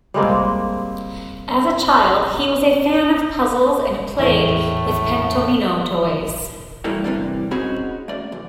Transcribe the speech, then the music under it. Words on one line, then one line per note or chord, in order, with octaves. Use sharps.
As a child, he was a fan of puzzles and played with pentomino toys.
G3 G#3 A#3 C4
E2 A2 E3 A3
E3 F#3 G3 A3 A#3 E4
A2 C3 E3 G3 A#3 D4
C4 C#4 D#4 F#4 G#4 B5
A3 D5
B1 E2